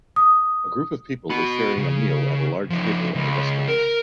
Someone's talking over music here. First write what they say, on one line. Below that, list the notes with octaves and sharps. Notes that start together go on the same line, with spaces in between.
A group of people is sharing a meal at a large table at a restaurant.
D#6
F#4 B5
C#3
F3 D#4
C#2
A#4